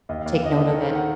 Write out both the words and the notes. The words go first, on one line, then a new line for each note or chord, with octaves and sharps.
take note of it.
D#2 D#5
F5
D#2
F5
D#2 D#5
D#3 D#5
A4
D#3
C5
D#3 F#5